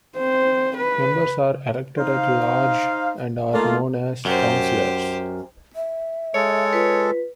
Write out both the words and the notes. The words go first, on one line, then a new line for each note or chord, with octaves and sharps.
Members are elected at large and are known as Councillors.
C4 C5
B4
D#4 C5 F5
A3 A#3 D#4 F4
F#2 G4 C5
E5
G#3 A4 C#5
F4 B4